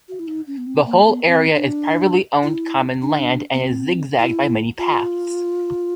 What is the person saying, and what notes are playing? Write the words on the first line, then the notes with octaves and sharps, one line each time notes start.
The whole area is privately owned common land and is zigzagged by many paths.
F#4
E4
D#4
C#4
B3
C4
A#3
B3
C4
D4
E4
D4
B3
C4
E4
F4